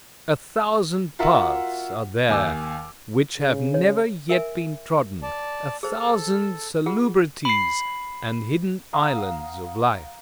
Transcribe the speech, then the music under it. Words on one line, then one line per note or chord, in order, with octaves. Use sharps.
A thousand paths are there which have never yet been trodden; a thousand salubrities and hidden islands of life.
F4 F#4 A#4 E5 F#5
D#2 G#5 D6 E6
C#3
C#5
A#4 E5 G#5
D5 A5
G#4 A4 C5
F4 G#4 F#5
B5 C7
F5 F#5 A#5 D#6